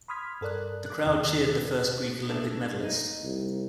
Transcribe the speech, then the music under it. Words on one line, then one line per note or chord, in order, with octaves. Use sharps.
The crowd cheered the first Greek Olympic medallist.
B5 C6 D#6 F6 G#6 B6
G2 A4 A#4 D5 F#6
D6 F#6
E2 C3 D#3 D5 E6 F#6
A3 D4
D#4
C2